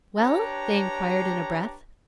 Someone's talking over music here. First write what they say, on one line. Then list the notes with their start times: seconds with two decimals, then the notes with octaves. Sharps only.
"Well?" they inquired in a breath.
0.17 D4 G4 B4 C#5 A#5